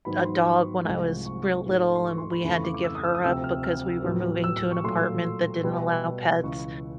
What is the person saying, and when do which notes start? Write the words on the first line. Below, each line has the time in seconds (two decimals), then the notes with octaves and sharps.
a a dog when I was real little, and we had to give her up because we were moving to an apartment that didn't allow pets.
0.05 G#2 D#3 F#3 B3 B5
0.25 C6
0.45 C#6
0.85 C2 C3 F3 G#3
1.26 C#6
1.65 G#2 F3 A3
1.95 C6
2.04 C#6
2.18 C6
2.31 B5
2.44 F2 C#3 E3 A3 B5
2.54 C#6
2.64 D6
2.74 D6
2.84 E6
2.95 D#6
3.04 E6
3.15 D#6
3.24 D2 C3 F3 E6
3.44 F6
3.64 F6
4.04 A2 F#3 B3
4.44 E6
4.57 E6
4.71 C#6
4.84 A#2 F#3 A3 C6
5.63 B2 G3 B3
6.43 C#2 C#3 E3 C#6